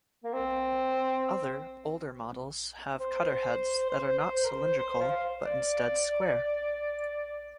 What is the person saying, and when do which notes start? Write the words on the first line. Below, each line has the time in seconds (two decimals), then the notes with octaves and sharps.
Other, older, models have cutter heads that are not cylindrical but instead square.
0.24 A#3
0.33 C4
3.00 C5
3.89 C5
4.19 C5
4.45 A#4
4.49 C5
4.78 C5
5.00 F5
5.44 D5